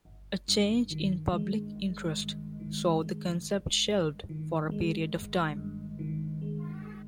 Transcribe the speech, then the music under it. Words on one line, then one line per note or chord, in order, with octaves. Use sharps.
A change in public interest saw the concept shelved for a period of time.
G1
G2
D#3
G#3
G1
G2
D#3
G#3
G1
G2
D#3
G#3
G1
G2
D#3
G#3